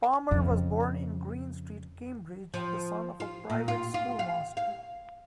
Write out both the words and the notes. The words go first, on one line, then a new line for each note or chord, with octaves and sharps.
Palmer was born in Green Street, Cambridge the son of a private schoolmaster.
F2 C#3
F3
F4
A#2
F4
F4
F5
F5